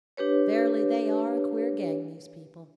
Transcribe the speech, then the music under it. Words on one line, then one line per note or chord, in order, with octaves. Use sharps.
Verily, they are a queer gang, these people.
D4 G4 B4 C#5